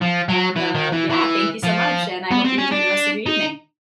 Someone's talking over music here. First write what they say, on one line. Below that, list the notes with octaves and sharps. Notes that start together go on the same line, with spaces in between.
And, uh, yeah, thank you so much, and I hope you enjoy the rest of your evening.
F3
F#3
E3
D#3
E3
E3
F3
B3
C4
C#4
D4
D#4